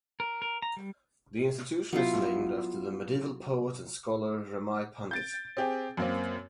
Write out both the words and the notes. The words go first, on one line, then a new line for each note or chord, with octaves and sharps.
The institution is named after the medieval poet and scholar Ramai Pandit.
A#4
A#4
A#5
G3
F#3 B3 E4 F4
G6 A6 D7
C4 G4 G#4
F#2 A#3 C4